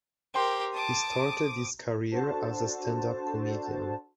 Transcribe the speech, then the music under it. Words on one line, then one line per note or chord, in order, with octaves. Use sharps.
He started his career as a stand-up comedian.
G4 A#4 C5 G5 C6
A5 D6 D#6
D4 F#4 A4 C5 A5